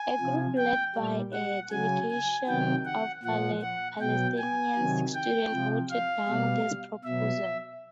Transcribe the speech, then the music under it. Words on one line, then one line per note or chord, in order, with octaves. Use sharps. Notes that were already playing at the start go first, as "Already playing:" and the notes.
A group led by a delegation of Palestinians students voted down this proposal.
Already playing: G#5
C3 F3
G5
A#2 G3
F#5
C#3 F#3 G#5
G#5
C3 D#3 F#3 G5
F#5
A#2 F3 F#5
F#5
B2 F#3 G5
G#5
C3 D#3 F#3
G5
C3 F3
F5
B2 G3
B2 F#3 E5